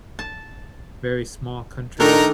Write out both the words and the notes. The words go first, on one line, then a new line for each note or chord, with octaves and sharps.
very small country
A5
D#3 A3 D4 D#4 A#4